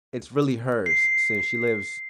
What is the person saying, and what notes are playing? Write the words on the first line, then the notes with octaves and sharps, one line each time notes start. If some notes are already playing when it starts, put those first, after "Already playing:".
it's really hers since she lives
C7